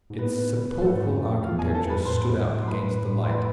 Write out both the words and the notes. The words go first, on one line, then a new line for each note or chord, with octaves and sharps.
Its sepulchral architecture stood out against the light.
G#2
A2 B3 B4
B4
G#2 A3 A4
F2
E2 F4 F5
G#4 G#5
F2 A4 A5
E2
B4 B5
F2
A2 C5 C6
A2
C6
B4 B5
A2
C6
B4 B5